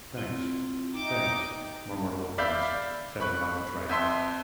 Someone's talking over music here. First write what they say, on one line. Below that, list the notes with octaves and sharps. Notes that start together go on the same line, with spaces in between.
"Thanks, thanks," murmured Old Grannis, setting down the tray.
C4 E4 F4
D#4 E5 G5 D6
D5 E5 F5 B5 G6
B5 C#6 F#6
F2 E5 C6